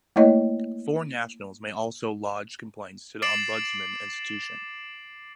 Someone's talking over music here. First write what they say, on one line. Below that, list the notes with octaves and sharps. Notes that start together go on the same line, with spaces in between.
Foreign nationals may also lodge complaints to the Ombudsman Institution.
A3 A#3 E4 C#5 D#5
D6 A6 C7 D7 E7 F#7